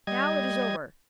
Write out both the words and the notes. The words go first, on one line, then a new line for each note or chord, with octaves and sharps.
Now, it is over!
G3 D#5 G#6